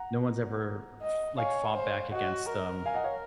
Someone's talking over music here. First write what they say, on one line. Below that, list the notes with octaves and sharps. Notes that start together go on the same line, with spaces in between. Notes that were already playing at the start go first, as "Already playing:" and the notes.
no one's ever f like, fought back against them,
Already playing: F#5 A#5
D#5
C#5 F5 G#5
C5
F#4 D#5 F#5
A#4
F5 G#5
D#5 F#5
C#5 F5